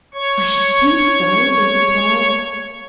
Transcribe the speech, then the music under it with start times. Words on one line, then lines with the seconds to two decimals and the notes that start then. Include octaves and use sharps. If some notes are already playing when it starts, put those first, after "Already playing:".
"I should think so!" he replied.
0.14 C#5 C#6